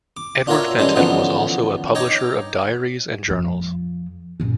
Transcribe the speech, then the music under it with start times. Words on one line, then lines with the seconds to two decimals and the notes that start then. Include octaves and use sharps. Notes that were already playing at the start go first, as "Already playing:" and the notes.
Edward Fenton was also a publisher of diaries and journals.
0.17 D6
0.47 D4 F4 F#4 A#4 C#5 E5
0.79 E3 G3 G#3 C#4 D4
0.95 D3 E3 F3 B3 C#4 D#4
1.95 D#4 C#5 G5 A#5 D6
3.28 F2 F3
4.40 F#2 A#2